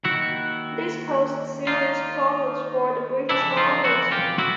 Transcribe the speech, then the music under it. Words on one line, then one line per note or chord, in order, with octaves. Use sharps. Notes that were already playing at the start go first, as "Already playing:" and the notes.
This posed serious problems for the British government.
D#2 D#3 E4 F#4
D#4 F4
F2 C#3 E3 D4 E4
D#4 F4
E4 F#4
F4 G4
E4 F#4